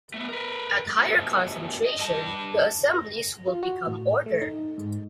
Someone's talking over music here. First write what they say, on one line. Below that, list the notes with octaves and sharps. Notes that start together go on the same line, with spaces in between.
At higher concentration, the assemblies will become ordered.
A3 B3
A#4 B4
A2 C3
D#5
G2 A5
A#6
F4
F#4
A2
A3
D#4
G#2